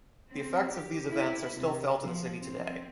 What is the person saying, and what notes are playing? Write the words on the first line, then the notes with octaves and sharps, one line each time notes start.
The effects of these events are still felt in the city today.
C4
G4
E4
C3
F3
C4